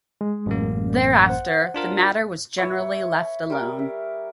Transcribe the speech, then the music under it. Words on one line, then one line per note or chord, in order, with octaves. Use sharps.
Thereafter, the matter was generally left alone.
G#3
A1 F#2 A#3
C5 F#5
D4 F4 A#4
B4 C#5 E5
G3 A#4
E5